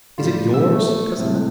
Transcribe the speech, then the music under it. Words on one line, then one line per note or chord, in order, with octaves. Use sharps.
"Is it yours, Cousin Helen?"
A2 G3 F4
E6
A3
A2 C3